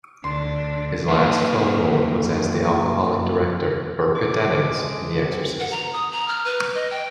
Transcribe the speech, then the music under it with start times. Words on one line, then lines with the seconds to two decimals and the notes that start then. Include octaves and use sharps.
His last film role was as the alcoholic director Burke Dennings in "The Exorcist".
0.24 D2 D4 C6
1.09 F#2 A#3 D#4 B4
4.15 D#2 C#3 D4 D6
4.65 G#3
5.19 F#2 C4 F#4
5.60 F#5
5.71 A#5
5.93 D#6
6.12 A#5
6.28 F6
6.45 B4
6.75 D#5
6.90 G5